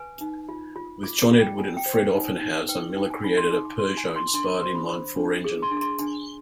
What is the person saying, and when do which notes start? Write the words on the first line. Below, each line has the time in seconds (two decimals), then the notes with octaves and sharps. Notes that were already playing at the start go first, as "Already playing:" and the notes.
With John Edward and Fred Offenhauser, Miller created a Peugeot-inspired inline-four engine.
Already playing: B4 G#5
0.21 D#4
0.49 F4
0.76 F4
1.03 F4 D6
1.22 D6
1.31 F4
1.41 G5
1.58 F4 G#5
1.77 G5
1.86 C5
1.95 G5
2.14 D#4
2.41 D#4
2.69 B4 G5
2.96 D#4 G5
3.10 G#5
3.24 D#4 B5
3.37 C6
3.51 D#4 D6
3.65 D6
3.79 F4 C6
3.97 G#5
4.06 F4
4.16 C6
4.34 D4 C6
4.48 B5
4.61 C5 C6
4.75 B5
4.89 C5 B5
5.17 D4
5.44 G#4 D6
5.62 C6
5.71 D4
5.77 D6
5.81 C6
5.99 D4 G#5